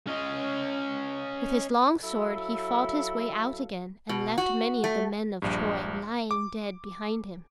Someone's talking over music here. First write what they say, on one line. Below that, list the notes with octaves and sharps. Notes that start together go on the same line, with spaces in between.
With his long sword he fought his way out again, and left many of the men of Troy lying dead behind him.
C#4 D#5
F#3 E4 A4 F5
B2
F#4
A3
A#1 G2
D6